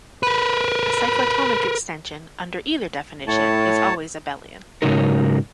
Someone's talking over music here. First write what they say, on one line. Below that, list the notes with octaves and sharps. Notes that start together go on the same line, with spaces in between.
A cyclotomic extension, under either definition, is always abelian.
A#4 B4
A2 C#5 A5
G#2 C#3 F#3 D#4 A#4